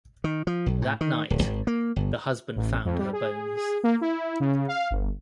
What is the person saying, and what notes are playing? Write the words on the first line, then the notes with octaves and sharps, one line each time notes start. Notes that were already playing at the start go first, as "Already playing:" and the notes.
That night, the husband found her bones.
D#3
F3
B1
A2
D#3
D1
G#1
A#3
G1
A1
F2
G3
G#4
G#4
A#3
E4
C#3
F5
G1